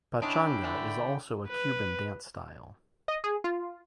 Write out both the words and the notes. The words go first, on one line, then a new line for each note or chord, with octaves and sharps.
Pachanga is also a Cuban dance style.
G#3 C#4 D4 E4 G5 B5
D3 E3 A3
B4
D#5
G#4
F4